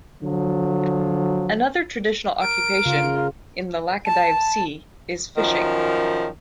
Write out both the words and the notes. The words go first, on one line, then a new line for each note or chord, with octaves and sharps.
Another traditional occupation in the Laccadive Sea is fishing.
D3 F3 F#3
A#4 D7
C#3 F4
A5
F#2 D#3 F3